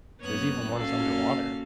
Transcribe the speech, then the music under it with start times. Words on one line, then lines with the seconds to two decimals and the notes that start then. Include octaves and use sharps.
There's even ones underwater.
0.21 F#2 A#3 B3 C#5 D#6 F#6
0.74 A#2 C#4 F#4 A4 F5